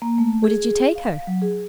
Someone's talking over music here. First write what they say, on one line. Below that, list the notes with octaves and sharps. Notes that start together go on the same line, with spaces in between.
'What did you take her?'
A#3
A3
G#4
F5
F#3
G#4